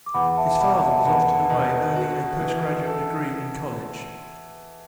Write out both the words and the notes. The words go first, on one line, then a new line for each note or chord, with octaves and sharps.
His father was often away earning a postgraduate degree in college.
D6
E2 F#5 B5
E5 A5
B2 F#5 B5
E5 A5
E2 F#5 B5
B2
F#4
E3
A4